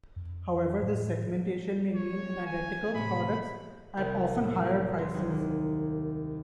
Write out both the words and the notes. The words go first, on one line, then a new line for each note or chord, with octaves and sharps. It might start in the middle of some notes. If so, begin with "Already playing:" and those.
However this segmentation may mean an identical products at often higher prices.
F2
A2
C#5
G#5
A2 C3 B5
C2
A2
F#3
G#3
D#2
A#3